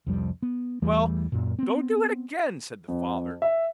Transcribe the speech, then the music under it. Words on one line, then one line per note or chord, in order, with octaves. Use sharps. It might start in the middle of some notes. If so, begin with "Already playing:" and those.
"Well, don't do it again," said the father.
C2 F2 G3
B3
E2 E3 G3 A3
F#2 A#2
B3 C4
F2
E5